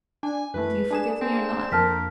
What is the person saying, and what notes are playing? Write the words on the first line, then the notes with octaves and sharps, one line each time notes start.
Do you forgive me or not?
D4 G#5
F#2 E3 A3 B4
D4 G#4 E7
A#3 C4
F2 A#3 D4 A#4 A5 F6 B6